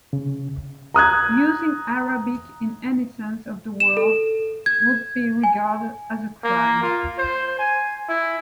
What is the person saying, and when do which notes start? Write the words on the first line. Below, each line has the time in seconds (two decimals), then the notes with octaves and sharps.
Using Arabic in any sense of the word would be regarded as a crime.
0.13 C#3
0.94 A#5 D#6 F#6 G#6
3.80 E7
3.97 A4
4.66 G#6
5.44 G#5
6.44 A#3
6.83 F4
7.18 C5
7.59 G#5
8.09 E4